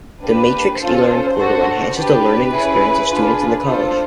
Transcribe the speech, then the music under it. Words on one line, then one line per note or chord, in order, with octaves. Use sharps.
The Matrix E-learning Portal enhances the learning experience of students in the college.
A#3 D4 G4 B4
C#4 F4 A4 C5
D4 F#4 A4
D4 G4 B4
C#4 E4 G#4
D4 F4 G#4
D4 F4 A4 C5